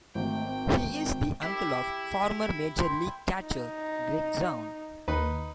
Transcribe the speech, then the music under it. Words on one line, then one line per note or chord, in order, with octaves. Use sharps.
He is the uncle of former major league catcher Gregg Zaun.
G#1 A3 G5
C4
E4 G4 E5
G5 C6
D#4
D#2 D#4 B4